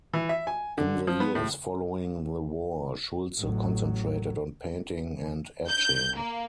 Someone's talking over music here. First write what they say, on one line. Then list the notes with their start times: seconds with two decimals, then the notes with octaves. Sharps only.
In the years following the war, Schulze concentrated on painting and etching.
0.14 E3
0.29 E5
0.47 G#5
0.78 D3
1.07 F3
1.20 B3
1.35 A2
3.39 A1 F#3
5.69 G6
6.18 A#3